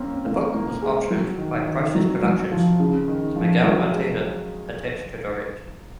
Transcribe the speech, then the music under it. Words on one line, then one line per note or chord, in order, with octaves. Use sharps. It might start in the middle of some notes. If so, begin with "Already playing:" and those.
The book was optioned by Process Productions, with Miguel Arteta attached to direct.
Already playing: A#3 C4 C#4
A#3
A#3
G#3
F#3
D#3
D#3
F#3
F#3
F3
C#3
D#3
F3
F#3
G#3